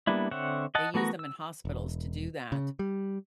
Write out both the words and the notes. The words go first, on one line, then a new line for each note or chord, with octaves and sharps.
they use them in hospitals to do that.
G3 A#3 B3 D4 E4
D3 C4 C#5 E5 F#5
D#5 F#5 A5
E3 A3 B3 F#4 A#4
E6
E1
C#3
G3